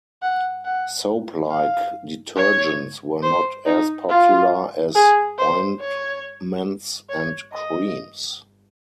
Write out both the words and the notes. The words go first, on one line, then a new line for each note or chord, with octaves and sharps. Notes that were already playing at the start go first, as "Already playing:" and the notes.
Soap-like detergents were not as popular as ointments and creams.
F#5
F#5
F5
C#5
C5
D#4
F4
G#4
C5
C#5
C#5
D#5